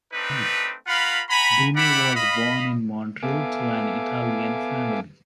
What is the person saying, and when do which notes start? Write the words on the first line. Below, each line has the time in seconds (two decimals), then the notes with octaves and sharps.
Bruni was born in Montreal to an Italian family.
0.12 A3 C4 D4 D#4 B4
0.86 F4 A#4 F5 F#5 B5
1.30 F#5 G#5 A#5 B5
1.76 E4 G4 D5 E5 F#5 B5
2.15 D#5 F5 B5
3.23 B3 A4 E5 F5 G#5 D6